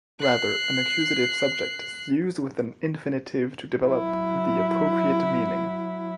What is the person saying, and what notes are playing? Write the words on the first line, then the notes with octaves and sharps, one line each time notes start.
Rather, an accusative subject is used with an infinitive to develop the appropriate meaning.
F#6 C7
F#3 E4